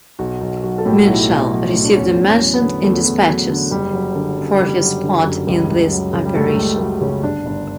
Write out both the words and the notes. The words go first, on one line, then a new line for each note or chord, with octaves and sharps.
Minshall received a "Mentioned in Despatches" for his part in this operation.
B1 F#4
B1
F#3 F#4
A4
A2 G4
F#4
B1 E4
B1
F#3
A2
D4
E2 C#4
E2
C#4
F#3
B3
D3
E2 A3
E2
F#3
D3
F#1 G3
F#3
D3
F#2
F#1 G3
F#3
D3
F#2
C#2 G3
C#2
F#3
C#3
G3
C#2 A3
A3
C#2 G3
F#3 A3
C#3 C#4
G1 D4
G1